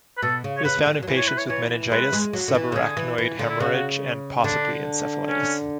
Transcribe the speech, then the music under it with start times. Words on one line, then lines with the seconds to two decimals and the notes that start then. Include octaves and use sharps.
It is found in patients with meningitis, subarachnoid haemorrhage and possibly encephalitis.
0.17 B4
0.22 B2 A4
0.44 C#3
0.58 C#5
0.65 C#3 B4
0.86 D3
1.03 F#3
1.07 E3
1.17 C#5
1.28 B4
1.38 C#5
1.50 E3 C#5
1.92 G#3 B4
2.13 G#3
2.33 F#3
2.48 D3
2.55 E3
2.72 C#3
2.76 D3 G#4
2.97 E3
3.18 E3
3.39 D3
3.49 E4
3.60 C#3 F#4
4.44 D3 D4
5.28 C#4